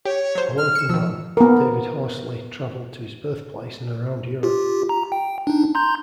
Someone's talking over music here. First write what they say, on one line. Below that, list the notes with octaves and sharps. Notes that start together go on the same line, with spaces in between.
A wealthy man, David Horsley travelled to his birthplace and around Europe.
G4 C#5
F#3 C5
F6
C#7 E7
D#3 F3 E6
B3 A#4
F4 G4
A#5
G5
D4 D#4
A#5 C6 G6